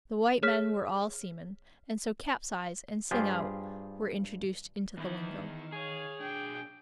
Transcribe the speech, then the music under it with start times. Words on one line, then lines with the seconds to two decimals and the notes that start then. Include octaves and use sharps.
The white men were all seamen, and so capsize and sing out were introduced into the lingo.
0.43 G#4 C#5 F6 B6
3.11 G2 F4 G4 G#4 C5
4.97 E2 D#3 E4
5.72 G#4 C#5 F5
6.20 B1 D4 G5